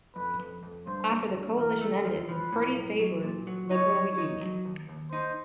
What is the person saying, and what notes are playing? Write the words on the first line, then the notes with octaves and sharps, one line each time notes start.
After the coalition ended, McCurdy favoured Liberal reunion.
F2 B4
F2
F2
G2 C5
A#3
G2
E2 A#4
A3
F3
F3 B4
A2
B1
F#3
A#2
F#3
D#4 C#5
F#3
D#4
F#3
D#2
D#2
D#4 C5